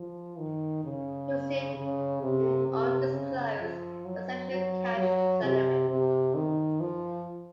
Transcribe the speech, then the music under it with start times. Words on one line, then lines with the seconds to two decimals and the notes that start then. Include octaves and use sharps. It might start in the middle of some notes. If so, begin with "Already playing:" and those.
He received an undisclosed but "substantial" cash settlement.
Already playing: F3
0.39 D#3
0.84 C#3
1.76 C#3
2.22 C3
2.68 C3
3.13 C#3
3.60 F3
4.05 F#3
4.51 F#3
4.97 F#3
5.43 C3
5.89 C3
6.35 D#3
6.80 F3